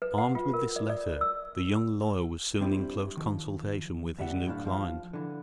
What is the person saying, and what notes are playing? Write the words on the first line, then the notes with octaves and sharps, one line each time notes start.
Armed with this letter the young lawyer was soon in close consultation with his new client.
B4
F#5
F4
A#4
D5
D5
E6
G3 C4 D4 E4 G4
D#3 F3
D2 G3 E5 F#5
F#2 A2 E3 D4 F5
F3 F5
D3 E3